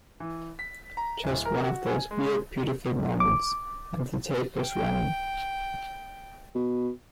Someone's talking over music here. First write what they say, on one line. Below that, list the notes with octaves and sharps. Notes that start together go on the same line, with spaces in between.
Just one of those weird, beautiful moments...and the tape was running.
E3
B6
A#5
D1
A#4
F#4
G#5
G#3
D6
G5
B2